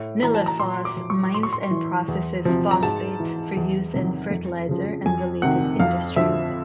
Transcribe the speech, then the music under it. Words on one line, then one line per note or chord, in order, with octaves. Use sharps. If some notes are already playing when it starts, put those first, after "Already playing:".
Nilefos mines and processes phosphates for use in fertilizer and related industries.
Already playing: A2
E3 A#5
A5
A#5
A#2 C6
D6
F3
C#6
A2 C6
C#6
C6
E3
E2
C3 F3
A#5
G#2 A5
E3
E2
C3 D#3 F#3
F2
C#3 F3
F2 G#5
C3 D#3 F#5
F2 F5
D3 F3 E5